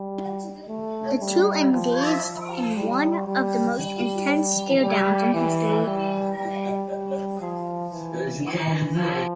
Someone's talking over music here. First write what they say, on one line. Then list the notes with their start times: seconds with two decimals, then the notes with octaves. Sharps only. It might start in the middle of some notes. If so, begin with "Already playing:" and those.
The two engaged in one of the most intense staredowns in history.
Already playing: G3
0.68 A3
1.20 G3
1.72 F3
2.24 F3
2.76 G3
3.27 G3
3.79 G3
4.82 G3
5.34 E3
5.86 G3
6.37 G3
6.90 G3
7.41 F3
7.92 E3
8.45 E3
8.96 F3